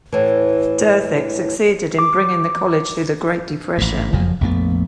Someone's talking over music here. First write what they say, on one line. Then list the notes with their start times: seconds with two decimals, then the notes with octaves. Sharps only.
Derthick succeeded in bringing the college through the Great Depression.
0.12 A2 E3
1.99 D6
3.78 A1 G#2
4.12 F#1 F2 F3 F#3
4.41 A#1 F2 A3 B3